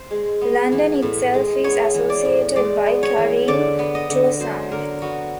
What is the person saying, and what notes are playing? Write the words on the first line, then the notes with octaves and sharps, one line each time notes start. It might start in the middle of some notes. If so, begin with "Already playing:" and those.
London itself is associated by Karim to a sound.
Already playing: C5
G#3
B3
E3
A2
G#3
B3 C#5
E3
D5
A2
G#3 D5
B3
C#5
E3
D3 D5
B3
D#5
D3
F#3 C5
D3 A#4
B3 F#4